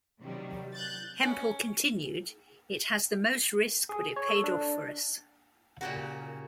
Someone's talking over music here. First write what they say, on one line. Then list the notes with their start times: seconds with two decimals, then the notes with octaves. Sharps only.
Hempel continued, It has the most risk but it paid off for us.
0.20 C3 D#3 F#3 G3
0.73 F#6 G6 A6
1.23 C#4
3.89 G#4
4.16 C#5
4.28 A4
4.44 D4
5.81 A#2 C#3 F#4 G4 A#4 F#5